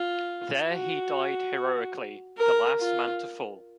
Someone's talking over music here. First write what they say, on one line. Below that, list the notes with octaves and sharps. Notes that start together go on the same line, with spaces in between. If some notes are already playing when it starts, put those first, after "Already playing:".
There he died heroically, the last man to fall.
Already playing: F4
F#4
A#4
F4